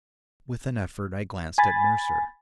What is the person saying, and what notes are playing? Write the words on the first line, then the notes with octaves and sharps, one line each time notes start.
With an effort I glanced at Mercer.
G#5 B5 A6